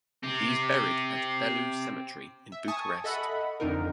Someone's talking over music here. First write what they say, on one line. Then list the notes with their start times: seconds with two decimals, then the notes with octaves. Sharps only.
He is buried at Bellu Cemetery in Bucharest.
0.23 C4 G4
2.52 E5
2.68 G#5 A5 C#6 D#6
3.04 A4 D#5 E5 F#5 B5
3.60 F2 D3 D#4 A#4